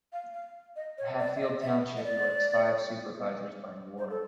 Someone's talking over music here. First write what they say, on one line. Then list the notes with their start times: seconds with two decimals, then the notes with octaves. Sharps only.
Hatfield Township elects five supervisors by ward.
0.13 F5
0.33 F5
0.76 D#5
0.98 C#5
1.19 D5
1.36 E5
1.41 D#5
1.62 E5
1.97 D#5
2.04 D5
3.98 C5
4.10 A4